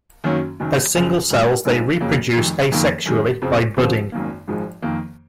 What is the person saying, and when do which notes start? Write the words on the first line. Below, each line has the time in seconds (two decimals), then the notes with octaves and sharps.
As single cells, they reproduce asexually by budding.
0.24 F#2 D#3 F#3 A#3 C#4
0.60 F#1 F#2 D#3
0.95 F#1 F#2 C#3
1.30 G#1 G#2 F#3
1.65 A#1 G#2 F3 A#3 D#4
2.00 F1 F2 C#3 F#3 A#3
2.36 F1 F2 D#3
2.71 F#1 F2 D#3 A#3
3.06 F#2 D#3 G#3
3.42 F2 C#3 F3 C4
3.77 D#2 C#3 F3 C4
4.12 G#1 F#2 D#3 A#3
4.48 G#1 G#2 F3 G#3
4.82 F2 D#3 A#3